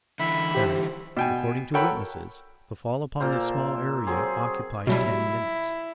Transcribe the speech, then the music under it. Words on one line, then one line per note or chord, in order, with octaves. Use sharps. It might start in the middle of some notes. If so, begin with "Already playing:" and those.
That, according to witnesses, the fall upon this small area occupied ten minutes.
D3 E3 E5 B5
G4 C5
B2 G5 G#5
A4 A#4 C#5 F#5 G5 B5
A#2 A4 A#4 C5
F#3 C4 G#4
B2 F#3 G3 E4